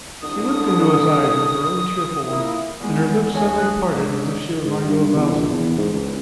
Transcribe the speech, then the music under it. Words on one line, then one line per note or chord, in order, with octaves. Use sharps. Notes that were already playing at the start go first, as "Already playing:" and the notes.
She looked into his eyes with her own tearful ones, and her lips suddenly parted as if she were going to avow something.
C2 D3 D#6
A#2 A#3 E4
E2 G#3
D2 C#5 G#5
D#6 F#6
G#2 D4 E5
G#2
G2
E2
A#1
E2
G#2
C#2